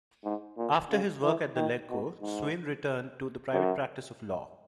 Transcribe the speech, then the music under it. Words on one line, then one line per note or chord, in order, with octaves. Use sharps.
After his work at the Legco, Swaine return to the private practice of law.
G#2
A#2
C#3
E3
D#3
B2
G#2
F#2